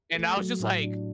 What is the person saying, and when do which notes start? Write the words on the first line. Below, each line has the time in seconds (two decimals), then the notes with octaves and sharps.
And, I was just like,
0.14 A3
0.37 F#3
0.59 A2
0.82 D4